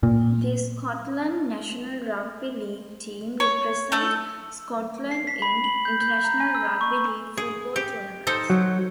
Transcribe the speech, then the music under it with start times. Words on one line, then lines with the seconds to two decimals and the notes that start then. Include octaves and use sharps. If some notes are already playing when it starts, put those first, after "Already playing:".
The Scotland national rugby league team represent Scotland in international rugby league football tournaments.
0.03 A#2
3.40 C#5
3.92 A3 A4
5.11 C7
5.27 B6
5.42 B5
5.64 F#7
5.85 G6
6.01 G6
6.24 A#5
6.40 G#5
6.55 E6
6.66 B5
6.81 C#6
7.37 G#4
7.76 G4
8.27 D#4 A4 C5
8.50 F#3